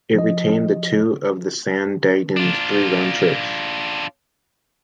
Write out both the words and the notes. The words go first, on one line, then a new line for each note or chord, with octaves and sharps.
It retained two of the "San Diegan's" three round-trips.
F3 D#5
D4 F4